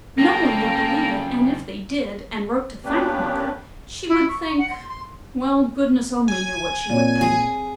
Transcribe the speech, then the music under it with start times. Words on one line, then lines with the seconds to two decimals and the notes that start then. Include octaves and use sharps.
No one would believe it; and if they did, and wrote to thank mother, she would think--well, goodness only knew what she would think.
0.18 F#2 C#3 A#3 F4 A4 G5
2.84 A#3 B3 C#4 D4 G4 B4
4.08 E4
4.29 C#6
4.58 F#5
4.71 C6
4.89 C6
6.28 G#5
6.90 A#2 C4 C#5 D5 G#6
7.21 G#4